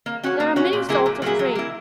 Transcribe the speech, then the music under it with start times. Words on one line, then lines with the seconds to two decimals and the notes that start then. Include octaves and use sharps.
There are many sorts of trades.
0.06 A#3
0.23 C#4 F#4 C#5
0.40 A#3
0.56 C#4 F#4 C#5
0.73 A#2
0.89 F#3 A#3 E4 G#4
1.06 A#2
1.22 F#3 A#3 E4 G#4
1.39 F#3
1.55 A#3 E4